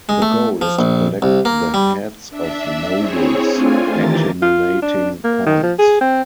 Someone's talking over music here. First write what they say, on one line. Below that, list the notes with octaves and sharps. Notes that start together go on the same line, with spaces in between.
The goal is to collect the heads of Nobles, accumulating points.
G#3
A3
F3
A#1
C2
A#3
G3
D4 E5
C4 E4 G#4 C#5
A3 C4 D4 F4 G#5
D#3 E3 G4 A#4 A6
F4
D4
A#3
D#3
F3
G#4
C4